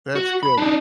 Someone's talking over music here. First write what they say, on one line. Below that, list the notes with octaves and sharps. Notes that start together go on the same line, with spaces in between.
That's good.
F#4
B5
D4 D#4